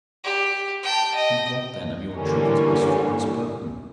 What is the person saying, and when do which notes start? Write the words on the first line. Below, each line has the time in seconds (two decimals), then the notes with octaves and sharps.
"And, what, then, of your truth to Miss Florence Burton?"
0.24 G4
0.83 G5 A5
1.15 D#5
2.14 D3 E3 G3 A#3 C#4